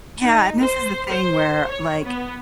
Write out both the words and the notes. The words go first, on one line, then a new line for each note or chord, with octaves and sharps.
Yeah, and this is the thing where, like,
D#4
C5
C5
C#5
B3